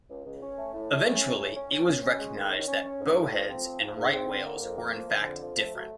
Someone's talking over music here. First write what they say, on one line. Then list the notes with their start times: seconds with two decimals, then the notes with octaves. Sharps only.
Eventually, it was recognized that bowheads and right whales were in fact different.
0.10 C#2
0.26 C#2
0.42 C#4
0.58 A3
0.74 A2
0.91 A3
1.07 C#4
1.23 A2
1.38 C#4
1.55 C#4
1.71 C#4
1.87 C#4
2.03 C#4
2.19 G#3
2.36 D#3
2.52 C#4
2.67 C#4
2.84 C#4
3.01 G#2
3.17 A3
3.32 F3
3.49 C4
3.65 F3
3.81 G#2
3.97 G#2
4.13 C4
4.29 D3
4.45 A#3
4.62 F2
4.78 A#3
4.95 F3
5.10 D3
5.27 F2
5.42 F3
5.59 A3
5.74 F#3